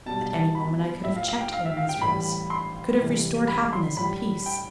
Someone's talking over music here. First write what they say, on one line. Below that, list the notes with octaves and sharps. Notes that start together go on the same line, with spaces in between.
At any moment I could have checked their miseries, could have restored happiness and peace.
B2 G3 A5
A5
B5
A2 F3 E5
F5
F5
G5
F5
E5
F5
G5
A2 E3 G3 B5
C6
C3 E3 G3
B5
C6
A2 G3 B5
G5